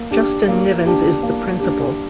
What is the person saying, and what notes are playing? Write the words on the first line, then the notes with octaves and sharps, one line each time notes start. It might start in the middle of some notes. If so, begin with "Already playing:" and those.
Justin Nivens is the Principal.
Already playing: A#3
D4 G4
A#3
D4 G4
A#3
D4 G4